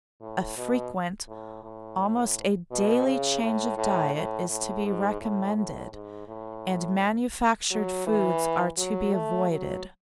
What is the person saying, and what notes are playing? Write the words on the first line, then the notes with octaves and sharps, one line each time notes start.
A frequent--almost a daily--change of diet is to be recommended, and manufactured foods are to be avoided.
A2
B2
A2
A2
B2
C#3
A2
A2
A2
A2
G#2
A2
A2
G#2
A2
F#3
E3
F#3
A3
F#3